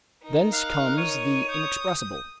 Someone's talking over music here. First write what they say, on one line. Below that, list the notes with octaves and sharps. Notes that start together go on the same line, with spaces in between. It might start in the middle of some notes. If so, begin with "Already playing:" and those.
Thence comes the inexpressible.
D#4 A#4
F5 F#6
C#5 D#7
D#6 G6